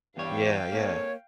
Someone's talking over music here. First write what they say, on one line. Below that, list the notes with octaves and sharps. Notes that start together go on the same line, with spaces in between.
Yeah, yeah.
E2 G2 G3 C#5 F5 G5
G#2 A#3 C4 A4 C#5